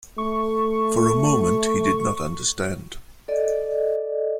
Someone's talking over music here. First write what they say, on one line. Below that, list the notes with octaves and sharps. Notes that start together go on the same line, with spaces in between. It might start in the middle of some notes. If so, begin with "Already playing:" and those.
For a moment he did not understand.
A3 C#6
A4 D5 D#5